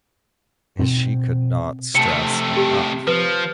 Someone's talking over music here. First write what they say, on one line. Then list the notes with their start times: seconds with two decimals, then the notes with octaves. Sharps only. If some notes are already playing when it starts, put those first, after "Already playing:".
and she could not stress enough,
0.79 B2 C4
1.95 C3 A3 A5 C#7
2.57 G4
3.07 F3 B4